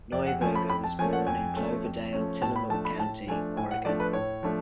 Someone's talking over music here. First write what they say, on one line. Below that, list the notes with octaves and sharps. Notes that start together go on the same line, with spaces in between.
Neuberger was born in Cloverdale, Tillamook County, Oregon.
F2 D5
F#5
F3 A3 C#4 G#5
B5
F2 B5
A5
F3 A3 C#4 G#5
F#5
F2 G#5
F3 A3 C#4
F2
F3 A3 C#4
A2 A5
B5
F3 A3 D4 A5
B5
A2 A5
F3 A3 D4 G#5
A2 G#5
F#5
F3 A3 D4 D5
B4
A2 C#5
F3 A3 D4